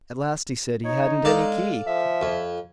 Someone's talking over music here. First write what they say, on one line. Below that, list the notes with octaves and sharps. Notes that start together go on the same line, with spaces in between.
At last he said he hadn't any key.
D#4 C#5
G#3 A4 D5 F5
F3 E5
F2